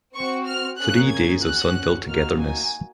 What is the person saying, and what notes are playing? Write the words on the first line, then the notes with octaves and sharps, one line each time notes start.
Three days of sun-filled togetherness.
C4 F#4 C#6
F6
A#3 C#4 G#4 F#6
G#6
C#4 F#4 F#6
A#3 D#4 F#4 F6
G#5